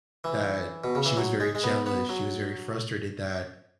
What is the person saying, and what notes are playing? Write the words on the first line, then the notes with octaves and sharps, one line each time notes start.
that she was very jealous, she was very frustrated that
E3
B2
C#3
E3
F#3
G#3
G#3
B3
B3
F#3